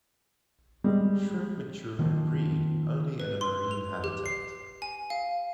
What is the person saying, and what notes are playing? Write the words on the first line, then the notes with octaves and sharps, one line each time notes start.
Shrimp mature and breed only in a marine habitat.
G3 G#3
D#3 F3 A#3
B4
C6
F7
G4
C7
G#5
F5